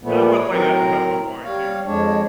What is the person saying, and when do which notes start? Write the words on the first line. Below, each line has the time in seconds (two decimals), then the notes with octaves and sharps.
And I will play that to help unwind too.
0.03 A#2 F3 A3 B3
0.36 C#5
0.50 A2 F#3 C4 A#4 A#5
1.44 G3 C#5 F5
1.86 F2 G#3 D4 C#5